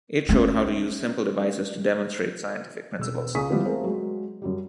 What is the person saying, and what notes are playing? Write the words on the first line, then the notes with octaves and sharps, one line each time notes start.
It showed how to use simple devices to demonstrate scientific principles.
A3 C#4
E1 E6
C#2 G#5 C#6 D#6 B6
E3 F3 G3 G#3 B3 C4
A3 C4 G#4 A#4 F5
F#3 G#3
F#2 F#3 G3